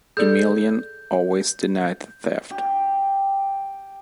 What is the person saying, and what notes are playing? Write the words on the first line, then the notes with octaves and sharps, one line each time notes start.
Emelyan always denied the theft.
G#4 A4 D5 G6
G4